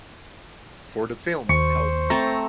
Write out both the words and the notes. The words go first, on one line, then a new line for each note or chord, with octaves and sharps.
For the film Help!
D#2 C5 C#6
A3 C4 A5 A#5